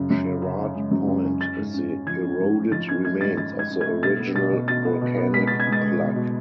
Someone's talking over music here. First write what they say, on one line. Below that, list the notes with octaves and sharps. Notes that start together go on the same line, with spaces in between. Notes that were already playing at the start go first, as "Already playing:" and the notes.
Sherrard Point is the eroded remains of the original volcanic plug.
Already playing: F#2 C#3
F#2
C#3
C#3
C#3
G#3
F#2
F#2
C#4
C#4 A6
G#2
C#4
C#4
F3 G#6
C#4
G#2
C#4
F3 A6
C#4 G#6
A3 G#6
G#2 A6
C#4 A6
G#2 G#6
C#4
G#6
A3
B2 A6
B3
B2 A6
B2
B2 A6
B3
B2
B3
G#3 B6
B3 A6
G#6
G#3
A6
G#3
B2
B2